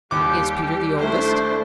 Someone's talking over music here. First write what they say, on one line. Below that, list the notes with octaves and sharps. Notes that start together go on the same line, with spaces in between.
"Is Peter the oldest?"
D#2 G3 G4 D6
A3 D4 E4 C5